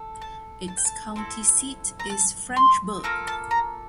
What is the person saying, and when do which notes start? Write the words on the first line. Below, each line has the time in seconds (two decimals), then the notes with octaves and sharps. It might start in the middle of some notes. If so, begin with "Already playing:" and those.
Its county seat is Frenchburg.
Already playing: A4
0.22 A5
0.68 A5
0.77 G5
0.85 A5
1.16 C4 E4 A4
2.00 A#5
2.10 A5
2.57 C6
3.04 A#3 F4 A4 A#5
3.27 A5
3.51 A#5